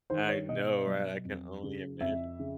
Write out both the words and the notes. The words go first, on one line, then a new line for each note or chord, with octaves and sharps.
I know, right, I can only imagine.
D#3 C5
C#5
B2 D#5
F#3
F2
C#3
F2 E5
C#3